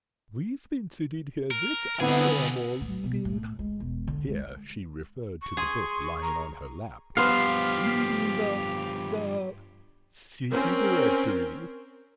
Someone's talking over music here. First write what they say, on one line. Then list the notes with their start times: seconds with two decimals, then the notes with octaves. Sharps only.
"We've been sitting here this hour or more, reading--," here she referred to the book lying on her lap, "--reading the--the City-Directory."
1.51 A#4
2.00 G2 D3 B3 C4 D4 E4 G#4
2.81 A2
3.03 B2
3.25 A2
3.59 G#3
3.80 E1
4.07 D3
4.28 G#3
5.42 C#6
5.57 G#4 C6
6.21 A#5
7.17 G2 F3 B3 G4 C5 F5
10.52 C4 C#4 A#4